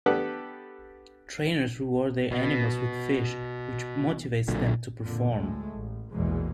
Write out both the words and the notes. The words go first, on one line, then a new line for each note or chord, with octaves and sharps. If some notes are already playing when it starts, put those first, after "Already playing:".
Trainers reward their animals with fish, which motivates them to perform.
B3 D4 G4 A4 B4 F#5
B2
B1 A#2 D3
F2 A#2 D3
D2 A2 G#3 A3
A1
A#1 E2 B2 G#3